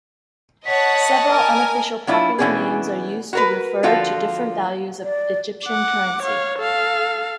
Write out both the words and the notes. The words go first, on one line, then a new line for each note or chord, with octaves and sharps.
Several unofficial popular names are used to refer to different values of Egyptian currency.
C#5 D#5 F#5 A5 B6
A#4 G#5 F6
F#3 D4 E4 F4
B2 E3 B3 C#4 D4 G#4
F#4 A#4 B4
D3 F3 F4 F#4 A4
D5
F#5 D6
C#5 F5
A4 F5